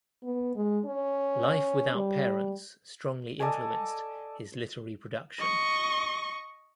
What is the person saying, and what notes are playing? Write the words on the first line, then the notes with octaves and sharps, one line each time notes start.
Life without parents strongly influenced his literary production.
B3
G#3
C#4
G3
A4 D5 D#5 G#5
D#5 C#6